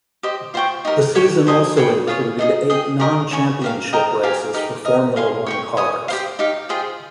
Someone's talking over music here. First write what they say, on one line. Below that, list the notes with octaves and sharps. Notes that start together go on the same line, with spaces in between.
The season also included eight non-championship races for Formula One cars.
G4 C5 D#5
F4 C5 G5 C#6
D#4 G4 A#4
G4 C#5 G5 C#6
G4 C5 D#5 G#5
G#4 C#5 G5
F4 G#4 C#5
D#4 G#4 D#5
G#4 D#5 G5
G4 A#4 D#5
C#5 G#5 C#6
G4 A#4 F5
A#4 D#5 G5 A#5
G4 A#4 F5 G#5
D#4 G4 A#4
A#4 D#5 A#5
A#4 F5 G#5 C6
C#5 G5 C#6
C#5 G#5 D#6
G4 C5 F5
D#4 G4 C#5 F5
F4 G#4 C5 G5